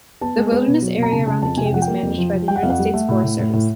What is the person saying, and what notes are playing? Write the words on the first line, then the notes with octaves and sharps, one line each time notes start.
The wilderness area around the cave is managed by the United States Forest Service.
B3 A5
G#3
B3
B2
F#3
B2
A#5
C#3 A5
C#3 A5
F2 A5
C3 G#5
G5
F3 F#5
G5
A#3
F2
F3
F3
G3 G5
F#5
F2 F5
F#5
G3
A3
A2
A2
A2
A2